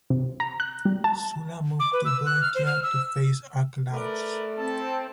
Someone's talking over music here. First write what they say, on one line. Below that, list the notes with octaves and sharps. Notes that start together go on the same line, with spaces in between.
Sulla moved to Boeotia to face Archelaus.
C3
A#5
F#6
G3
A5
D6
B4
E6
F#6
F6
C5
F6
E6
A3 A#4 B4 D5
C4 E4 A4 A5